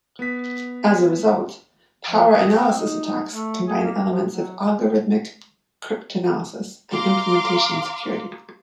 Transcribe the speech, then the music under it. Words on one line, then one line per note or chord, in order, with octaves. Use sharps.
As a result, power analysis attacks combine elements of algorithmic cryptanalysis and implementation security.
B3 B6
F3
G#4
C4
D#4
D#4
A3
G#4
A#3
F3
F#3
F5 A#5 C6 D6